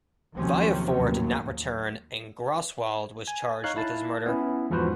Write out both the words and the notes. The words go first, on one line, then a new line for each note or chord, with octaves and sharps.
Viafore did not return, and Graswald was charged with his murder.
D#2 C3 F3 F#3 C4 C#4
D#2 A2 F#3
G#5
D#4 C#5 F5 F#6
E4 A5
B3 C#4 E4
E2 G#2 F3 F#4 B4 C5